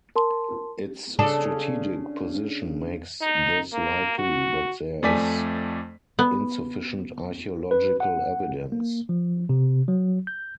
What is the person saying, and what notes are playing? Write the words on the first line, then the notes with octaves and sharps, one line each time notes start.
Its strategic position makes this likely, but there is insufficient archaeological evidence.
A#4 A5 C6
C#3 D4 A4
D#4
A#3
F#4
F2 A3 D5 G#5 B6
B3
B4
F#5
A#3
F3
C3
F#3
G6